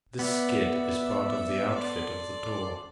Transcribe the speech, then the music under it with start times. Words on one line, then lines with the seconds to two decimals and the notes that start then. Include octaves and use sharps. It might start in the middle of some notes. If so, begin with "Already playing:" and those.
This skid is part of the outfit of the tour.
0.19 B3 D5 E5
1.75 A4 D5 C6